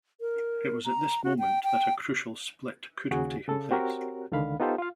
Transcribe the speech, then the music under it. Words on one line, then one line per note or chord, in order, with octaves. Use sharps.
It was at this moment that a crucial split could have taken place.
A#4
A#5
F#4
G5
G5
D#2 C#3 F#4 G#4
C#3 A4
C4 F#4 G4 A#4 C#5
C#2 D3 D#3 F5 B5
B3 D#4 F4 G4 A4 C5
F4 F5